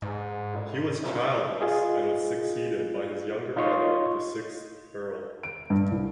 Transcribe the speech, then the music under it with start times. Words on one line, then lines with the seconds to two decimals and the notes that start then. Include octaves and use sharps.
He was childless and was succeeded by his younger brother, the sixth Earl.
0.02 G#2
1.61 F4 G#4 D#5
3.56 D#4 F4 C#5 D#5 C6 C#6
5.43 D7
5.70 G2
5.91 C2